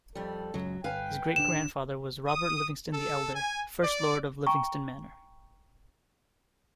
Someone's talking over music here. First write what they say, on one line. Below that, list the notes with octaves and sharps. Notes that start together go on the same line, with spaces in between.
His great-grandfather was Robert Livingston the Elder, first lord of Livingston Manor.
F2 G3 A4
C#2 F#2 F#3
G1 B4 F5 G5 G#5
D1 D3 D4 E7
D#6
A4
G#5
D5
G5 G#5 A#5 C#6